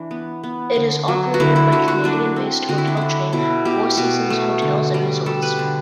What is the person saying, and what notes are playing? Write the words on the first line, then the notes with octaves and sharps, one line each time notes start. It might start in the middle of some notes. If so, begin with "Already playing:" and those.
It is operated by Canadian-based hotel chain, Four Seasons Hotels and Resorts.
Already playing: E3 D4
B3
B3
D3
F#3
F#4
D3 E4
E4
D3 F#4
F#4
F#3 D4
C4
D3 F#4
E4
D4
D3 E4
B2 E4
B2 G4
B2
A3
D3
G3
G3 A4
B4
D3